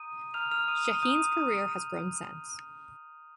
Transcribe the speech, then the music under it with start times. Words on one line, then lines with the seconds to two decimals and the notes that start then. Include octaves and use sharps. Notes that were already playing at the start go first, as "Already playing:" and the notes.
Sheheen's career has grown since.
Already playing: A#5 D#6 G6 D#7
0.34 A#5 D#6 F6 G6 F7
0.51 F6 F7
0.68 D#6 D#7
0.85 D#6 D#7
1.02 A#5 D#6 G6 D#7
1.71 A#5 D#6 G6